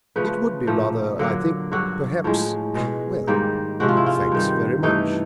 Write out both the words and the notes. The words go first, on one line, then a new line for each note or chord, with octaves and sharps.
"It would be rather--I think, perhaps--well, thanks very much."
C#3 F3 A3 B4
A#2 F3 A3
D3 F#3 A#3
G2 D3 F#3 F#4
A2 F3 G#3
B2 G#3
G#2 D#3 G3 A#3
C3 F3 G#3 F#4
F4
E4
F4
G2 D#3 G3
G2 E3 A3 D#4